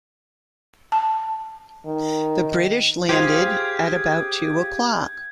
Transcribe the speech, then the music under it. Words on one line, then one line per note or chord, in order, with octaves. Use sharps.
The British landed at about two o'clock.
A5
D#3
F4 G4 G#4 C5 F5 G6 G#6
G#6